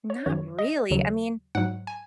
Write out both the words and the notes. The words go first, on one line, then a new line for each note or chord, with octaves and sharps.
Not really, I mean
C#5
F#2 D#3 F#3 C#5
D#5
D#2 C#3 F#3
G#2 F#3 F#5
G#5